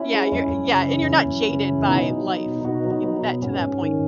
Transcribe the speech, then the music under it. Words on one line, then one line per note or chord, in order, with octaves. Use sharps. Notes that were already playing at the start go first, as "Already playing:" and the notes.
yeah, you're y yeah, and you're not jaded by life y that to that point.
Already playing: C#4 E4
G#3
F#2 C#4 E4
F#2
C#3
E3
F#2
F#2
C#3
E3
B2 B3 D#4
F#3
F#3
B2
B2 D#4 F#4
F#3
B3 D#4
F#3
B3
B2
G#2 C#4
G#2
D#3